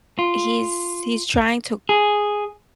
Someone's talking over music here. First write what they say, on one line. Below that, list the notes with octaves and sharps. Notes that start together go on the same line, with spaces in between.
he's he's trying to
F4
G#4